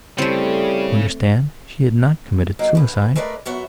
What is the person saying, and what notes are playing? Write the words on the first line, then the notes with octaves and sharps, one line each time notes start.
You understand she had not committed suicide.
C#3 G3 A3 C4 E4 C5 C#5
F#3 A#3 D#4
D2 B4
G#3 A3 A#4 B4 D5
F#2 B3 F#4 E5